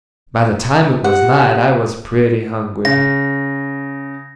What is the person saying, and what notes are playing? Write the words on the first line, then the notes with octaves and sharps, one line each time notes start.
By the time it was night I was pretty hungry.
G4 F#5
C#3 A#6